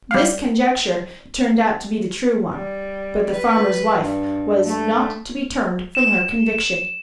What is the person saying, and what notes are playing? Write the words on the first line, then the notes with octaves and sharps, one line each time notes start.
This conjecture turned out to be the true one, but the farmer's wife was not to be turned from her conviction.
G3 F5
G3
B4
G2
A3
E7